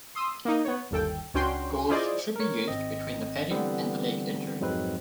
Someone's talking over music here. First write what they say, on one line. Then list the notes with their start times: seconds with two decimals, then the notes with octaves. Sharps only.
Gauze should be used between the padding and the leg injury.
0.15 C6 D#6 E6
0.45 A#3 D#4
0.65 B3 C#5
0.91 G1 D#2 A4 G5
1.34 C#2 C#4 D4 F#4 G5 C6
1.89 E4 F4 G#4 C5 D5 D#5
2.36 A#4 C#5
2.68 G#1 C4 D#5
3.50 D3 E3 G3 B3 C4
4.60 F2 G#2 F#3 G#3 C4 B4